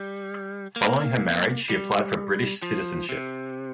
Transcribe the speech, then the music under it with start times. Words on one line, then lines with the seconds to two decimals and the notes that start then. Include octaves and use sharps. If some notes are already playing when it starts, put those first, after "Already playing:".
Following her marriage she applied for British citizenship.
Already playing: G3
0.76 A#3
1.69 G3
2.62 F3
3.09 C3